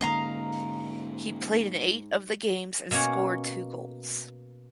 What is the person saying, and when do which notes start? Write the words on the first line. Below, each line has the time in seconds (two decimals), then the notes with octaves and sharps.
He played in eight of the games and scored two goals.
0.01 G#2 D3 A#3 C#4 D#5 F5 A#5
2.91 B2 A#3 C#4 C#5 F#5